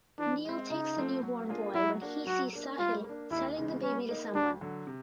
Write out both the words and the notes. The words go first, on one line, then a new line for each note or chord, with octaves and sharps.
Neel takes the newborn boy when he sees Sahil selling the baby to someone.
E3 D4
G#3 C4
C#3 D#4
F3 A3 C4
F#3
A#3 D4 F4 G#4
F#3 E4
A#3 D4 F#4
F#3 F#4
A#3 D4
G3 F4
A#3 D4
D#2 E4
C#3 E3 G#3
G3 C#4
A#3 D#4
D2 D4
D3 F#3
C3